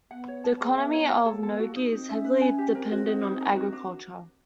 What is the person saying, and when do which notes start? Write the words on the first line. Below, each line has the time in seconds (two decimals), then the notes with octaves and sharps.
The economy of Nogi is heavily dependent on agriculture.
0.11 B3 F#5
0.28 C#5
0.44 A5
0.61 G#4
0.76 B3 E5
0.93 C#5
1.00 B3
1.10 B3 G5
1.21 A#3 A4
1.43 B3 A4
1.59 A#3 F#4
1.76 D#4
1.92 C4 D#4
2.09 C#4 E5
2.24 B4
2.42 G#5
2.58 G4
2.74 C4 A#4
2.91 F#4
3.07 D#4
3.24 D#4
3.41 A#4
3.56 F#4
3.73 D4